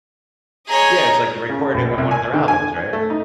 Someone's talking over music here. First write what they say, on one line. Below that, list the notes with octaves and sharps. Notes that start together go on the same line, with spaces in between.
Yeah, it's like the recording of one of their albums, right?
G#4 C#5 D#5 A#5
C#3
A#1
C2
G#5
D3
G#5
A3
D#4